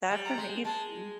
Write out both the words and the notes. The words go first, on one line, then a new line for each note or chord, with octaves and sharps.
That's amazing.
G3
A#5
G#3
G#3 A5